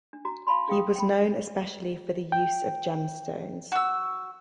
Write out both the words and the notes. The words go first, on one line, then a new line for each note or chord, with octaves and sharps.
He was known especially for the use of gemstones.
D4
F#4 A#5
F5 A5 B5 C6
D4 G#4 F5 G5 D#6
G5 B5
G5
F#4 E6